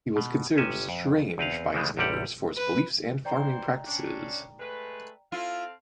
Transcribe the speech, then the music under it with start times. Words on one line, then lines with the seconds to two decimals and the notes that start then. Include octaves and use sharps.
He was considered strange by his neighbors for his beliefs and farming practices.
0.16 B2
0.56 G1 C3 C#4 E5 G#5
0.89 F2
1.38 E2 C4 B4 F5
1.73 D2 C#3 E3 F3 G#3 A3
1.97 A1 E2 C3 G3 G4 F#5
2.57 B4
3.25 E3 C5 D5 G5 A#5
3.87 C#4 D4
4.59 G#3 A3 B4
5.32 C4 E4 F4 A4 F5